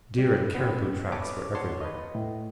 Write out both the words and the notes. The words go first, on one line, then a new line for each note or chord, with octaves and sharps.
Deer and caribou tracks were everywhere.
G3
B3 C4
B4 C#5 A5 D6
C#5 F#5 A5 C6
B4 D#5
A2